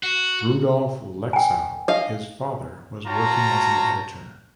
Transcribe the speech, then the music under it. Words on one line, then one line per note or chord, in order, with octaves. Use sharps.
Rudolph Lexow, his father was working as an editor.
F#4
G5 G#5
D#5 F5
F4 F#4 C#5 G5 A5 A#5